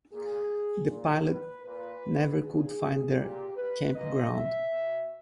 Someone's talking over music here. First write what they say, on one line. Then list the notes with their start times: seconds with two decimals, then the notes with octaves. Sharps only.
The pilot never could find their campground.
0.13 A#2 G#4
0.89 A#2
1.27 B4
1.65 A#2 B4
2.42 A#2 G#4
3.19 A#2 G4
3.57 B4
3.95 A#2 D#5
4.34 E5
4.71 B2